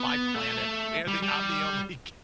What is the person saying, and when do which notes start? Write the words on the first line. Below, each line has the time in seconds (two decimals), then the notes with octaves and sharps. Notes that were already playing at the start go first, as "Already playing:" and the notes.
my planet, they're the I'm the only
Already playing: B3
0.34 A3
1.07 G3
1.22 G3